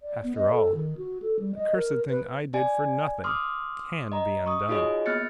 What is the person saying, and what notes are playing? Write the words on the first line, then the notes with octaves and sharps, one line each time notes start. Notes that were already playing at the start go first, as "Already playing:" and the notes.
After all, the cursed thing I did for nothing can be undone.
D5
B3
D#5
A4
D#3
F#4
A4
G3
D#5
A#4
B4
D5 G#5
C6 D6 D#6 F6
D#5 A#5
C#6 D#6
D#4 F4 F#4 G#4 C#5 D#5
A#3 B3 F6 F#6 A6 C#7